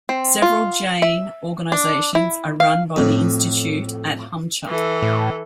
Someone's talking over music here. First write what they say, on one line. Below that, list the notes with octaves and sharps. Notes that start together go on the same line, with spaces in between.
Several Jain organizations are run by the institute at Humcha.
C4
F4
E5
D4
E4
F5
F2 A2
E3 A4
A2